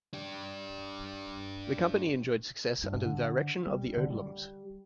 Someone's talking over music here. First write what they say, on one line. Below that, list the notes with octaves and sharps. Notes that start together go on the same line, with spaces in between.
The company enjoyed success under the direction of the Odlums.
D4 G4
G2
D3
G3
D3
G3